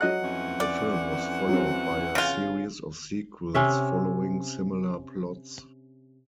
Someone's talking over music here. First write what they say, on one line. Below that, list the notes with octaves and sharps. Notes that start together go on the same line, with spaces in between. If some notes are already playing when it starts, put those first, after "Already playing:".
The film was followed by a series of sequels following similar plots.
F#3 D#5 F#5 F#6
F2 E3 C#4
D5
F#3 C4
C#3 F4
C3 C#4 E5